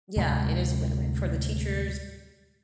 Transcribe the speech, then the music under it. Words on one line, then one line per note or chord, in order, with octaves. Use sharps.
Yeah, it is win-win, for the teachers,
D2 A2 C3 G#3